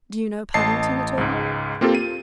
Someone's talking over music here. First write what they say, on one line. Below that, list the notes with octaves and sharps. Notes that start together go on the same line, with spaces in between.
"Do you know Paddington at all?"
A1 D#5 A5 C7
C#2 G#2
A#3 C4 F4 G4 A4
D#7